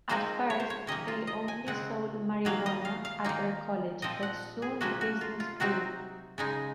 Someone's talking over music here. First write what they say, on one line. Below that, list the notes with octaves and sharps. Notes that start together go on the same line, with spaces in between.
At first, they only sold marijuana at their college, but soon the business grew.
F3 G#3 C4 D#4 C5
C#5
C5
C#5
C3 D#3 A#3 C#4 D#5
F4
D#5
G#5
C#3 G#3 C4 F#5
D#3 F#3 A#3 F5
D#5
F5
F5
D#3 A#3 D#4
A#2 F3 C4 D#5
F#5
G#4
C3 F3 A#3 C#4 F#4
F#4
F4
F4
C3 F#3 C4 D#4 F#4
C#3 G#3 D#4